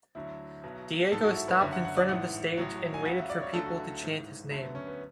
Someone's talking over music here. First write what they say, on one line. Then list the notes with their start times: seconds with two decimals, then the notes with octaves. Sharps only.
Diego stopped in front of the stage and waited for people to chant his name.
0.15 D2 D3 F#3 E4
0.63 B1 B2 F#3
1.12 A1 G#2 F#3 A4
1.24 F#4
1.36 E4
1.48 B4
1.60 F#1 F#2 D3 F#3 E5
1.73 F#5
1.85 F#5
1.97 D5
2.08 A1 G#2 E3 F#5
2.57 A1 A2 F#3
2.94 G#5
3.05 C#2 C#3 F#3 F#5
3.18 E5
3.30 D5
3.42 C#5
3.53 D2 D3 F#3 A4
3.66 F#4
3.78 E4
4.03 A1 G#2 E3
4.51 D2 D3 F#3 A3
4.63 B3
4.75 C#4
4.87 B3